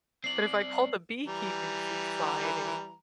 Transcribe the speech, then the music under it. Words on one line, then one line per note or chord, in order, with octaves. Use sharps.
but if I call the beekeeping society
C4 D5 C7 F#7
E3 G3 A#5